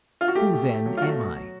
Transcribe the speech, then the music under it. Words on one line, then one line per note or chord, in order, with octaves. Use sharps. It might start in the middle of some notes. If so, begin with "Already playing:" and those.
"Who, then, am I?"
F4
F#4
A3 G4
B2
A3
F#3
F4
A3 F#4
B2
F#3